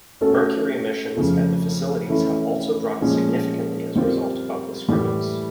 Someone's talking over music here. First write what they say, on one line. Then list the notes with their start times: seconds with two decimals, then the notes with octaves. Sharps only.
Mercury emissions at the facilities have also dropped significantly as result of the scrubbers.
0.21 A3 C#4 F#4 A4
1.15 F2 C#3 F3 A3
2.08 E3 A3 C#4 E4
3.01 A#2 F3 G#3 C#4
3.96 G3 C4 F4 A#4
4.88 A2 E3 G3